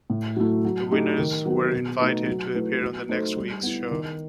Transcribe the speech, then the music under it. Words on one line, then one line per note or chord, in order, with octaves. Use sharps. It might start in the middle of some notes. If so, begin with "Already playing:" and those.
The winners were invited to appear on the next week's show.
A2
F#3 A3 E4
F#3
A3 D#4 G4
D#3
F#3 B3 F#4
B2
A3 D#4 F#4 B4
F#3
A3 E4 B4
F#3
A3 D#4 A4 C5
G3
B3 E4
D#3